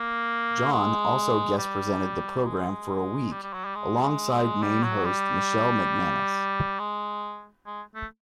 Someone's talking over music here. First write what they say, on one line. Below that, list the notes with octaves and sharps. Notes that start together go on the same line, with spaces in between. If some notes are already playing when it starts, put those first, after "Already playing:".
John also guest presented the programme for a week alongside main host Michelle McManus.
Already playing: A#3
G#3
G3
G#3
G3
G3
F#3
G3
G#3
G3
F#3
G3
G#3
G#3
A3